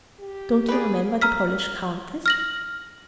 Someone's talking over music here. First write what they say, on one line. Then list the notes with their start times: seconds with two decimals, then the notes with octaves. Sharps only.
Don't you remember the Polish Countess?
0.19 G4
0.69 G#4 B4 D5
1.22 A#5 E6 F6 B6
2.26 F6 A#6 F#7